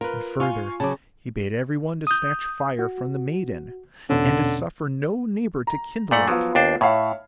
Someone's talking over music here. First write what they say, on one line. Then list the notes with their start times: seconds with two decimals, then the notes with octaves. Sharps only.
And further, he bade every one to snatch fire from the maiden, and to suffer no neighbour to kindle it.
0.01 F4 A#4 B4
0.40 F4 F5 G#5 C#6
0.80 C#3 F#3 A5 D6
2.07 D#6 G6
2.79 F#4
4.10 E2 B2 D3 C#4
5.67 A#5
6.11 A#2 A3 D5 F#5
6.28 F3 F#3 B3 F4
6.55 D#2 D4 C5
6.81 A2 C#5 E5 F5